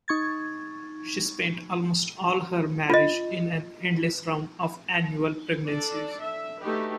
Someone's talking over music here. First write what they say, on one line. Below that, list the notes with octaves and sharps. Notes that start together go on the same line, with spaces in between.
She spent almost all her marriage in an endless round of annual pregnancies.
D#4 C#6 G#6 A6
F4 D#5
D4 A4 D5
E5
A3 D#4 F#4 G4 B4